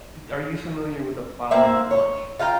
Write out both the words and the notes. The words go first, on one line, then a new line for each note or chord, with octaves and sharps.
uh, are you familiar with a ploughman's lunch?
A#3 C4 E5
C#5
F4 F5 G5 A#5